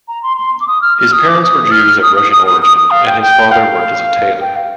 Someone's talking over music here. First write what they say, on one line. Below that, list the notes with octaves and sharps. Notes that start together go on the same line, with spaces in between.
His parents were Jews of Russian origin and his father worked as a tailor.
A#5
C6
C6
D6
D#6
F6
F6
D#6
D6
D#6
F6
D#6
D#6
D#6
D#6
D#6
D#6
F5
G5
G5
F5
G5
F5